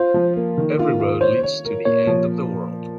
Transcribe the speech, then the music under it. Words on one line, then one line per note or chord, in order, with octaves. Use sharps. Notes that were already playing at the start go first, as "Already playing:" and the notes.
Every road leads to the end of the world.
Already playing: F4 C5
F3
A#3
D#3
F4
F4
C5 C#5
C#5
A#4
A#2 C#5
F3